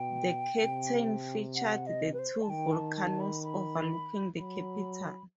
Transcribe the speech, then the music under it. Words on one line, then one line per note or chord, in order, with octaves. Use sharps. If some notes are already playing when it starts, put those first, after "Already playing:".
The curtain featured the two volcanoes overlooking the capital.
Already playing: B2 G5
C3
F#5
D#5
B4
C5
A5
D#3 G5
A5
A5
B5
B5
F#3 B5